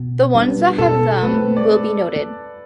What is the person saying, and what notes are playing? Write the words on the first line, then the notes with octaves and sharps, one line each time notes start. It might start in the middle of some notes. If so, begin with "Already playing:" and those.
The ones that have them will be noted.
Already playing: B2
G3 B3 D4
B2 A4 A5
A3 C4 B4
D5